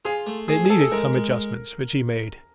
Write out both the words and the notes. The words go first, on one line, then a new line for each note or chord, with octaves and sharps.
It needed some adjustments, which he made.
F4 G#4
A3
A3 G#4
G#4
A3 A4
A4
G#3 A#4
G#3